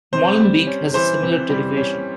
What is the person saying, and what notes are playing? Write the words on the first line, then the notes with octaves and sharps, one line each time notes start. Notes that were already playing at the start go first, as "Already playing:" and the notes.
Molenbeek has a similar derivation.
C3 C5
G3
C#4
E3 C5
C3
G3
C#4